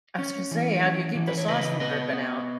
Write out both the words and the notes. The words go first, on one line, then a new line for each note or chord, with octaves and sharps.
I was gonna say, how do you keep the sauce from dripping out?
C#4
E3
C#4
E3
B4
C#5
C#3 B4 D#5
B3 B4 D#5
B3